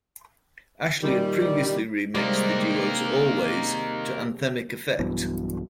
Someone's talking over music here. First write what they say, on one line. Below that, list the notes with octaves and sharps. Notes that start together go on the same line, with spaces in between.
Ashley had previously remixed the duo's "Always" to anthemic effect.
A#2 D#3 G3
C3 G3 G#3 A#3 D#4
B1 G2 B2 E3